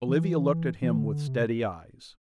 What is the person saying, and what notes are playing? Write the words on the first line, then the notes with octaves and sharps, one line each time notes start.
Olivia looked at him with steady eyes.
E3
E3
D3
C3